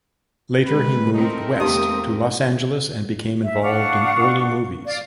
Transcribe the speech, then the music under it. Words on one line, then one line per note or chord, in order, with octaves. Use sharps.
Later he moved west to Los Angeles and became involved in early movies.
D#3 G#3 B4
A3 C4 D#4 A#4
E2 A#3 D#4 G4 D#5 D#6
E5
D4 F5 F#5 C#6
D5 F5